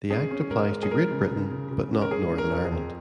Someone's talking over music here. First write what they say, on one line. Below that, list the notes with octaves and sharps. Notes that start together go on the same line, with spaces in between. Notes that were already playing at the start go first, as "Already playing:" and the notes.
The Act applies to Great Britain but not Northern Ireland.
C#4 G#4
C#4
G#3 A#4
G#3
G#4
G#3 A#4
C#3
C#3
C#3
C#3
C#4
A#4
G#3 G#4
C#4
A#4
F2
G#4
F2